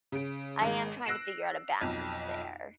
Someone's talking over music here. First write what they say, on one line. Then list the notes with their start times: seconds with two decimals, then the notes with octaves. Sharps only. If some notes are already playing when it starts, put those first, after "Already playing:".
I am trying to figure out a balance there.
0.12 C#3 D7
0.62 G#1 G#3
1.06 E6 F#6 A#6 C7 D7 E7
1.81 B1 F2